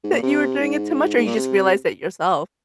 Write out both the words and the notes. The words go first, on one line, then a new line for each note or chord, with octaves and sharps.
that you were doing it too much, or you just realized it yourself?
G#2
A#2
C3
G#2
G#2
A#2
C3